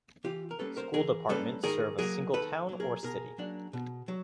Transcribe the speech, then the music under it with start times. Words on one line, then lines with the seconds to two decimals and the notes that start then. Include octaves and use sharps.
School Departments serve a single town or city.
0.24 E3 F4 G4
0.51 A#4
0.59 G3 A#3 C#4 A4 B4
0.77 A#4 C5
0.94 E3 G#4 A#4
1.29 G3 A#3 C#4 A4 B4
1.64 D#3 G#4 A#4
1.99 F#3 A#3 G#4 A#4
2.33 D#3 A4 B4
2.69 F#3 A#3
2.80 G#4 A#4
3.03 B2 G#4 A#4
3.38 F#3 A#3 D4
3.73 B2
4.08 F#3